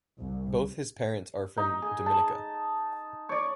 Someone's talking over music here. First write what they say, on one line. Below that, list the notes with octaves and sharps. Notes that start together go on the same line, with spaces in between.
Both his parents are from Dominica.
C2
D#4
G#4
A5
C#5 D5